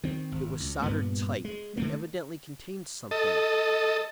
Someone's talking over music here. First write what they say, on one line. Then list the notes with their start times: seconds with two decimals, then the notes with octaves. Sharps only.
It was soldered tight and evidently contained something.
0.04 D#3 C4
0.32 G#1
0.60 C#2
0.82 G2 A#2 B3
1.45 G#3
1.77 D3 A3 A#3
3.11 A4 D#5